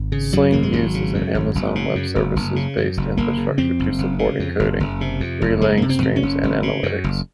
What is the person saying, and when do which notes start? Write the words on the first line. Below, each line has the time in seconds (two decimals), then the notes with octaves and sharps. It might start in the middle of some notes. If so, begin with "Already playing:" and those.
Sling uses an Amazon Web Services-based infrastructure to support encoding, relaying streams and analytics.
Already playing: G#1
0.12 C#3
0.32 F#2 F#3
0.52 G#1 A#3
0.63 G#3
0.73 G#1 F#3
0.94 C#3
1.14 F#2
1.34 G#1
1.55 F#1
1.75 C#3
1.95 F#2
2.16 F#1
2.36 F#1
2.56 C#3
2.77 F#2
2.97 F#1
3.17 F#1 A#3
3.37 C#3
3.58 F2 C4
3.79 F#1
3.98 F#1
4.19 C#3
4.39 F2
4.60 F#1
4.80 F#1
5.01 C3
5.20 F2
5.42 F#1
5.61 F#1 G#3
5.78 C3 A#3
5.89 C4
6.02 F2
6.16 C#4
6.23 F#1
6.43 F#1
6.63 C#3
6.83 F#2
7.04 F#1